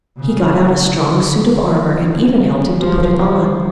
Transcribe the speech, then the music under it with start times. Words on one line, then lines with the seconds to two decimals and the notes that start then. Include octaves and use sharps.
He got out a strong suit of armour, and even helped him to put it on.
0.17 C#3
0.92 D3
2.80 F3
3.18 F3